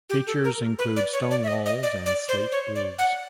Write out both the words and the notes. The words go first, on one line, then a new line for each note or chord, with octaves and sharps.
Features include stone walls and slate roofs.
G4
A4
A#4
B4
D5
C#5
D5
E5
D#5
D#5
D5
D5
C5
C#5
D5
F#5